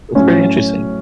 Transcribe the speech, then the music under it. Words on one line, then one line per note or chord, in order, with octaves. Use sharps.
That's very interesting.
A2 F#3 C#4